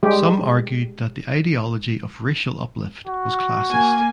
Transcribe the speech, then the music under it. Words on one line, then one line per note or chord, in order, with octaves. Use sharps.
Some argued that the ideology of racial uplift was classist.
G3 G#3 G4
F#4
A#3 G#5